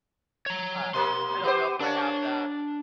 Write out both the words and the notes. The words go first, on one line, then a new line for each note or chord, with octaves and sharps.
uh, I don't know if I have that
C#5 A#5
B2 A#3 C6
B3 G4 C5
A#3 C#4 D4